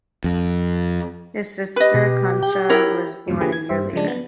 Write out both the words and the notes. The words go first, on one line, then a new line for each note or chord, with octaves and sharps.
His sister, Concha, was born a year later.
F2
G4 B4 D#5
B2
G5
E4 A#4 C#5
F2 G#2 B2 F3 F#3
D3 F3 A#3 G4 G#4 B4
G#6
G2 G4 C5 E5
C#3 F3 G#3 D4
B3